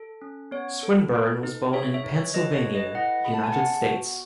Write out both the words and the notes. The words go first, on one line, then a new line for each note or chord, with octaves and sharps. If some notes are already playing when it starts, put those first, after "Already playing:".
Swinburne was born in Pennsylvania, United States.
Already playing: A4
C#4
B3 C#5
A4
A4
D#4
G#4 C#5 E5
C#5 E5
D#4
C#5
A4 B4 D#5
C#5
A4
B4 D#5
E4 D#5 F#5
G#4 B5
A5
G#5
B3 F#5 A5
F#4